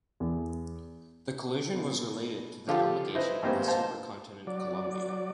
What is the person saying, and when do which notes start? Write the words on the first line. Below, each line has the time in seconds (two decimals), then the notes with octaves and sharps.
The collision was related to the amalgamation of the supercontinent Columbia.
0.20 E2
1.75 B2
2.67 D3 F3 F4 G4 A4
3.15 E4 B4 C5 D#5
3.42 G#1 G2 A#3 B3 C5
3.68 C5 F5 A5
4.47 F#3 D5